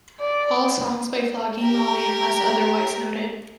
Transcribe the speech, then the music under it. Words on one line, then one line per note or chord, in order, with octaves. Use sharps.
All songs by Flogging Molly unless otherwise noted.
D5
G4 A#4